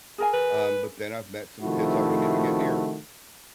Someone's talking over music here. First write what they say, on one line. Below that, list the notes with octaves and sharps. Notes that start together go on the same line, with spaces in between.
Um, but then I've met some Pits I wouldn't even get near.
G#4 A#4 G#5
B4
C3 D#3 F3 A3 E4 F#4